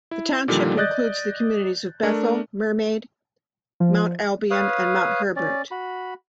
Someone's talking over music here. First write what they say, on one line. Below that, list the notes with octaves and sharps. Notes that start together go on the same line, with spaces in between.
The township includes the communities of Bethel, Mermaid, Mount Albion and Mount Herbert.
E4
A#2 D3 D#3 F3 G3
D5 D#5 F#6 G6 A6
A3 D4 A#4
F3
B4 C#5 F5 D#6
C#4 D5
F#4 B5